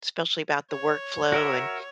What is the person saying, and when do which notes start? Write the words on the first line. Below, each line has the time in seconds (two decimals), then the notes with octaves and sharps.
especially about the work flow and
0.71 C#5
1.32 F#4 A#4 E5